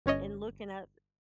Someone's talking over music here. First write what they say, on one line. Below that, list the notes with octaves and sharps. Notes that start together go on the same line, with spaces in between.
and looking at
G1 C#4 C#5 D#5